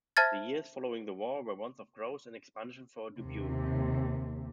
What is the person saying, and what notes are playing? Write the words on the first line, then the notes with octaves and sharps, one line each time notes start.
The years following the war were ones of growth and expansion for Dubuque.
C5 E5 A5 F6 G#6 A6
D#2 C3